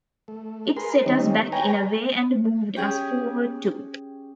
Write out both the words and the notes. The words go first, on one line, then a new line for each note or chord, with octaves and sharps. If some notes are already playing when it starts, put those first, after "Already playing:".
It set us back in a way and moved us forward too.
A3
G#4 A#4 B4 C6
D#3 G3 C4 C#4 D#4
B4 C#5 G5 G#5 A#5
C#4 G4 G#4